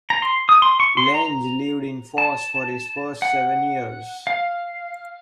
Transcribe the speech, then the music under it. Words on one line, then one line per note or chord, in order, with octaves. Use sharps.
Lange lived in Foss for his first seven years.
A#5
C6
D#6
C6
C#6
C6
A#5
A5
F#5
F5